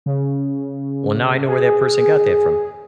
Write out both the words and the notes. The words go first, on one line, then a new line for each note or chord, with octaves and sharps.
Well, now I know where that person got that from.
C#3
G#4